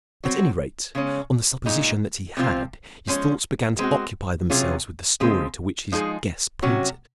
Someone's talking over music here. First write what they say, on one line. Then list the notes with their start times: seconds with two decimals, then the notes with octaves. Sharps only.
At any rate, on the supposition that he had, his thoughts began to occupy themselves with the story to which his guess pointed.
0.24 F#3 C4 F#4
0.95 C#3 G#3 C#4
1.66 A#2 G#3 D#4
2.37 C3 F3 C4 F4
3.07 F3 G#3 C#4
3.79 G#3 C4 F#4
4.50 C3 F#3 C#4 F4 G#4
5.20 C#3 F3 G#3 C4
5.92 F3 G#3 D#4 G#4
6.62 C3 F#3 C#4 F#4